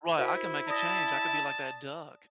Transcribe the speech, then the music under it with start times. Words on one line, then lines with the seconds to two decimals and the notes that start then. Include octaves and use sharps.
Right, I can make a change, I could be like that duck.
0.18 E4 F#4 A#4 C5
0.68 D5 A5 D#6 A#6